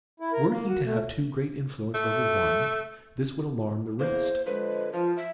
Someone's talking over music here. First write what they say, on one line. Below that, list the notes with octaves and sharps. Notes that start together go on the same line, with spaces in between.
Were he to have too great influence over one, this would alarm the rest.
E4
A#4
A#3
F#4
A3
A3
E2 A#3 C5
D3 F3 G#3 B4
F3 F4
E5